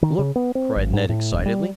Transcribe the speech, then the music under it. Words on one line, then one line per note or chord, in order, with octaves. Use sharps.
"Look!" cried Ned excitedly.
D#3
C#3
B3
C4
G#1
G#2
A2
D#1
G3